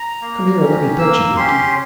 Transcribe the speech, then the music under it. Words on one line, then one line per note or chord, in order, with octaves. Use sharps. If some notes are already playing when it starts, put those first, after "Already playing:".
Come here and let me pet you, Binkie.'
Already playing: A#5
A#3
C#4 G4
A#3 E6
C#4 G4 C6